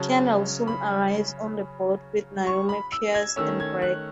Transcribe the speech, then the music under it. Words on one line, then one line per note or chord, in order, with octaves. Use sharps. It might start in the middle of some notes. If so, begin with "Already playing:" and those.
Kendall soon arrives on the boat with Naomi Pierce and Greg.
Already playing: C#3 F#3 C#4 A5
B5
C#6
B5
E6
G#6
D#3 A3 C#4 E6
G#6
F#6